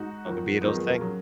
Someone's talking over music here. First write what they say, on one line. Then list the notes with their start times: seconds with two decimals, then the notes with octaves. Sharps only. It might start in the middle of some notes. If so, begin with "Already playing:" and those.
Oh, the Beatles thing?
Already playing: G#2 D#4 F#4
0.25 F2 D#3 F#3
0.61 F2 D#3 F#3 B3 D#4
0.74 G#3 B3
0.86 A#3
0.99 C#3 F#3